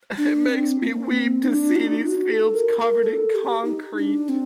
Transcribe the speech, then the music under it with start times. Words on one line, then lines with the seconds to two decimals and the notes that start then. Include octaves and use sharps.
It makes me weep to see these fields covered in concrete.
0.18 D4
0.49 C4
0.82 A#3
1.12 C4
1.44 D#4
1.48 D4
1.76 F#4
1.80 D#4
2.07 F#4
2.31 A4
2.54 A#4
2.79 A#4
3.03 A4
3.35 G4
3.65 D#4
3.97 D4
4.29 C4